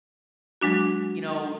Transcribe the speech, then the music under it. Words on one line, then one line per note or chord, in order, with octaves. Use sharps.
you know,
F#3 G#3 D4 F#4